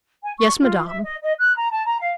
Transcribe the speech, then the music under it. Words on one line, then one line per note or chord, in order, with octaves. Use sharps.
"Yes, madame."
G#5
C#6
F4
E5
D#5
D#5
F#6
A#5
A5
A#5
F5